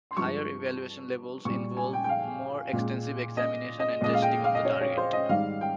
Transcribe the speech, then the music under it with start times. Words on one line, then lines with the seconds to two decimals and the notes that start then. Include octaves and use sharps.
Higher evaluation levels involve more extensive examination and testing of the target.
0.11 C6
0.17 G2 F3 G#3 C#6
1.45 A#2 G3 C#6
1.77 G#5
1.93 G5
2.04 G5
2.09 F5
2.73 A#2 G#3
3.37 D#5
3.80 D#5
4.01 A#2 G#3 D#5
4.13 F5
4.22 G5
4.44 F5
4.55 D#5
4.65 C#5
4.81 C#5
4.97 C5
5.13 D#5
5.29 G#2 D#3 G3 F5
5.61 G5